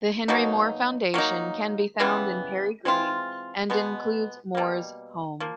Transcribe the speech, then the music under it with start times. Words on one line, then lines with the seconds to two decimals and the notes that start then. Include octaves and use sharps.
The Henry Moore Foundation can be found in Perry Green, and includes Moore's home.
0.28 B2 F#3 A#3 D#4
1.14 F#3 A#3 D#4
2.00 C#3 E3 G3 B3
2.85 E3 G#3 C4 F4
3.70 B2 G#3 B3
4.55 B2 G3 A#3
5.40 F3 A#3